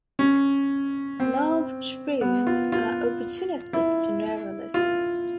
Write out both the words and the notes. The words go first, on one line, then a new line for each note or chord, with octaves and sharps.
Masked shrews are opportunistic generalists.
C#4
C4
B3
F4
F4
E4
F4